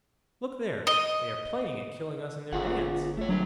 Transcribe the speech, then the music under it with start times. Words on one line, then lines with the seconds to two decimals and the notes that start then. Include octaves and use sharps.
"Look there! they are playing at killing us in their dance."
0.87 D#5
2.53 G1 F4 G#4 F#5
3.17 A3 C#5
3.29 D3 D#3 F#3 G3